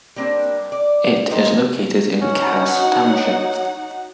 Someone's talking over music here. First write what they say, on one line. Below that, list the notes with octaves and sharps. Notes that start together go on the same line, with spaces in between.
It is located in Cass Township.
G3 A#3 C4 D4
D5
D#4 G4 A4 A#4 C5 D#5
C#3
C#4 D#4 F#4 F#5
F#3